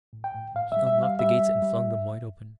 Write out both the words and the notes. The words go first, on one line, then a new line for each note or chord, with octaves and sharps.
He unlocked the gates and flung them wide open.
A2
G5
A2
A2 F5
G3 E5
E5
G3 F5
G3 E5
G3
G3